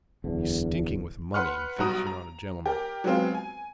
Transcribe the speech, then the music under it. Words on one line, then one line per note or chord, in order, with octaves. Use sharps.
He's stinking with money and thinks you're not a gentleman.
D1 E2 D3
B4 F#5 C6 F6
B1 G3 F#4 A#5 D#6 D7
A#5
G4 A#4
F#3 G#3 B3 C4 F4
G#5